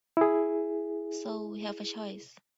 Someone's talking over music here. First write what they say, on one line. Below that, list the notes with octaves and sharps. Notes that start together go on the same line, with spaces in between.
So—we have a choice.
E4 G#4